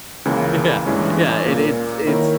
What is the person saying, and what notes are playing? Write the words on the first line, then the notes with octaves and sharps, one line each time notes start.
Ye yeah, yeah, and it's it's
C#2 C#3 E3 A#3
G1 G2 E3 G#3 C#4
A#2 A#3 C#4
D#3 A#3 E4 A#4 C#5